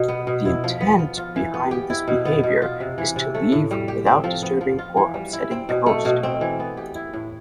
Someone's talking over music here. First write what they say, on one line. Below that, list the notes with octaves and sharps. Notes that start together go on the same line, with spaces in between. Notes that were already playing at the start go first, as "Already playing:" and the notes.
The intent behind this behaviour is to leave without disturbing or upsetting the host.
Already playing: B2
B3
B2
E4
F3
B3
F3
F4
E3
B3
G4
E4
B2
B3
B2
F4
C3
E3
C3
A3
A2
G3
G4
C4
F3
B3
F3
F4
E3
G3
E4
C4
B2
A3
B2
C4
E3
B3
G4
E4
A2